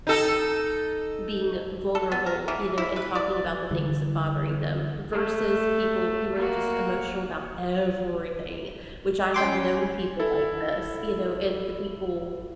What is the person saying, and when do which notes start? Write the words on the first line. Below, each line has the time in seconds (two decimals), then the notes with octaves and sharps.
being vulnerable, you know, and talking about the thing's that bothering them versus people who are just emotional about everything, which I have known people like this, you know, and the people
0.07 D#4 A4
1.95 A4
2.12 B3
2.26 A#4
2.48 E3
2.78 E4
2.96 B4
3.15 D5
3.71 D3 E3 G3
5.12 A3
6.35 A#3 F#4
9.34 G3 C#4 G5 C6 D6
10.19 E4 A4